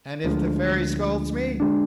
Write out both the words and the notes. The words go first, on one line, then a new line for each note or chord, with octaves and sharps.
"And if the Fairy scolds me?"
D2 D3 F3 G#3
D3 G#3 D4